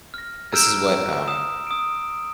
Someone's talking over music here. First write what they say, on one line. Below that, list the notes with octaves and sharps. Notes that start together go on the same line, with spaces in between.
this is what, um,
F6 A#6
A#5 E6 F6 G6 D7 E7
D#6 E7
D#6 D7